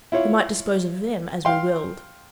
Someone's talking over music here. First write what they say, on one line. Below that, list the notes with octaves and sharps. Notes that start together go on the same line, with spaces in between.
We might dispose of them as we willed.
E4 F4 C#5
F5 G5 C6